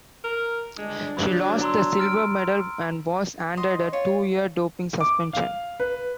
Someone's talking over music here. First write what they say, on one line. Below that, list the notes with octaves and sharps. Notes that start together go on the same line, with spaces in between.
She lost the silver medal and was handed a two-year doping suspension.
A#4
G1 G#3 D4
F#3 B5
A#5 C6 E6
F6 A6 D7
D#5 F#5 C6
F4 C#5
D6
F5
B4